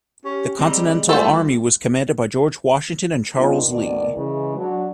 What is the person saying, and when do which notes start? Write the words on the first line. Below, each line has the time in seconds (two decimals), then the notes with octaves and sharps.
The Continental Army was commanded by George Washington and Charles Lee.
0.25 C#4 G4
0.59 G3 G#3 C4 A#5
1.09 G3 A3 E4 F4 A4 C5
3.36 D#3 G3 B3 C4 D4 F4
3.69 D2 B2 D#3 D5
4.14 C#3 E3 G#3
4.57 F#3 D4